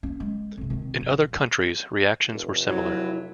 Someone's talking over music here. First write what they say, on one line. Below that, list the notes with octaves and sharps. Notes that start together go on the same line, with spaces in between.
In other countries, reactions were similar.
A#3 C#4
G#3
F2 C3
D#3 C4
B1
F1
F#3 E4